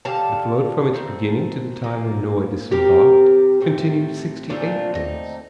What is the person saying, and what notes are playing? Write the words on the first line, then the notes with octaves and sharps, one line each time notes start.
The flood from its beginning to the time when Noah disembarked continued sixty-eight days.
D3 G3 F5 A5
D#3 A3 C4
A#2 F3 A#3
C3 G3 C4 G4 A#4
A2 A3 C4
A#2 A3 C4 D4 F4
D#4